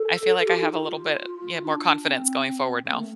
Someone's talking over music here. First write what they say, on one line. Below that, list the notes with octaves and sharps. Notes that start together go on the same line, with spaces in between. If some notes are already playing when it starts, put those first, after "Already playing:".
I feel like I have a little bit, yeah, more confidence going forward now.
Already playing: A4
G4
F4
D#4
F4
D4
C4
C4
A#3
A3